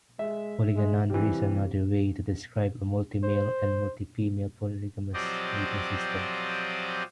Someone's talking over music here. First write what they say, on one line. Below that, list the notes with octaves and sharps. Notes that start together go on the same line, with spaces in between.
Polygynandry is another way to describe a multi-male and multi-female polygamous mating system.
G#3 E5
G#3
C3 E3 G3
C5
F3 F#3 C4 G4 D5 D#5